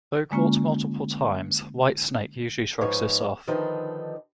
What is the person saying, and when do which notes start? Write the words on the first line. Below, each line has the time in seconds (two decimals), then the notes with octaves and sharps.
Though caught multiple times, White Snake usually shrugs this off.
0.31 D3 G#3 A#3 C#4 F4
2.81 G#2 F3 D#4 B4 C#5
3.47 D3 D#3 F3 D4 D#4 B4